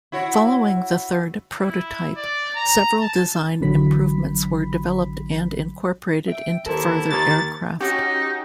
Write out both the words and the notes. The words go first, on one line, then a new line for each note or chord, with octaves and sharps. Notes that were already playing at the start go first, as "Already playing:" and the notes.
Following the third prototype, several design improvements were developed and incorporated into further aircraft.
E4 F#4 C#5
E4
D5
A#5
A5
A1 D3 E3 F#3 B5 B6
E5 G5
D#2 E4 A4 A#4 C5 A5
D#2 G#6 A6
C#4 D#4 F#4 G4